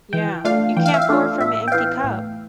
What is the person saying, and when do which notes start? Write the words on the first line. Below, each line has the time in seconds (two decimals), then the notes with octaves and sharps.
Yeah. You can't pour from an empty cup.
0.13 E3 G5
0.45 A3 D4 F4 F5
0.77 E3 G5
0.86 F5
0.94 E5
1.02 F5
1.09 A3 D4 F4
1.40 A2 E5
1.68 G5
1.72 E3 B3 F5
2.04 A2